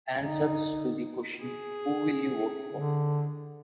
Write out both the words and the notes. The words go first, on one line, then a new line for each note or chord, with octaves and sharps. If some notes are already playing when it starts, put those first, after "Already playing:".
Answers to the question, Who will you vote for?
D3 D#4
G#4
D3